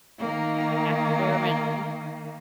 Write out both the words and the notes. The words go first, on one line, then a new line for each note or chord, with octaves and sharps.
at at the bare minimum.
D#3 A#3